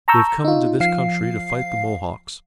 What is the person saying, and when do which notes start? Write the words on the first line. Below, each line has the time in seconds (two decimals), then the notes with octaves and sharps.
They have come into this country to fight the Mohawks.
0.08 A5 A#5 C#6 E6 G6
0.45 D#4 F4
0.80 F3 F5 C7